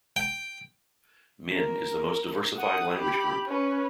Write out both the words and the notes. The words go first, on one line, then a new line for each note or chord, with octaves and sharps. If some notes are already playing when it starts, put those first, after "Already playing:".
Min is the most diversified language group.
G5
A#4
F#5 D#6
G4 B5
C#4 B4